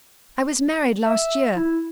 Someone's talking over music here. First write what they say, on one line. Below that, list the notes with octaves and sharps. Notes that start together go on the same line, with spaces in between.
I was married last year.
E5
E4